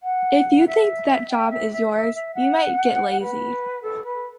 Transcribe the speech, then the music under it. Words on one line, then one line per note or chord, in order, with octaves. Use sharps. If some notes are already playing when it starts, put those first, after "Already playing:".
If you think that job is yours, you might get lazy.
F#5
E5
G5
E5
E5
E5
E5
F#5
B4
A4
B4